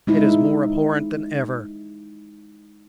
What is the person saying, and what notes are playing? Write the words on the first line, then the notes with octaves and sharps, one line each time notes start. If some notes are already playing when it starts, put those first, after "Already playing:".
It is more abhorrent than ever.
G#3 D#4 E4